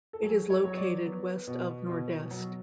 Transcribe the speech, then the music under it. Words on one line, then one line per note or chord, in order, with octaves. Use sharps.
It is located west of Nordeste.
A4
F#3 G#4
C#5
F#3
D5
B3
B2
B2
F#3